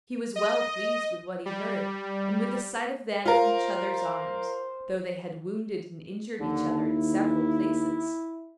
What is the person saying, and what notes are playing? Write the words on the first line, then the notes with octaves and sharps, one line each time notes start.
He was well pleased with what he heard and with the sight of them in each other's arms, though they had wounded and injured each other in several places.
D#5
G3
F4 A#4 C5
D#2 D3
E4